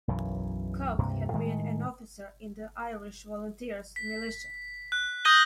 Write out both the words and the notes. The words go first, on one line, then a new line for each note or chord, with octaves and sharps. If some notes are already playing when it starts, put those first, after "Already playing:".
Cooke had been an officer in the Irish Volunteers militia.
B1 F#2 E3
C#2 G2 C3 A#3
A2 D#3 G#3 A3
B6
F#6
D#6 G6 A#6 D#7 G7